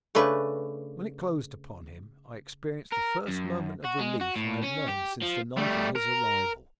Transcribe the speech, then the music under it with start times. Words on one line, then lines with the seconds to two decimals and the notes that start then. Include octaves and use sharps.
When it closed upon him, I experienced the first moment of relief I had known since the night of his arrival.
0.15 C#3 A3 D4 B4
2.92 A#4
3.29 F#2
3.84 F#4
3.99 G#3
4.21 F#4
4.36 A2
4.63 C#4
4.88 G4
5.22 F3
5.57 G3 A3
5.96 A#4